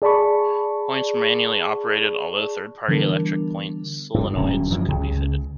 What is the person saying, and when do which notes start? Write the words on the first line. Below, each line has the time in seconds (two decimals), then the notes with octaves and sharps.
Points were manually operated, although third-party electric point solenoids could be fitted.
0.02 G#4 D5 A5 B5 C#6
2.88 D3 E3 G3 B3 D4 A#4
4.14 G2 F#3 G3
4.35 D1 F#2 A#2 C#4
4.70 F#2 E3 F3 G3
4.88 C#2 C#3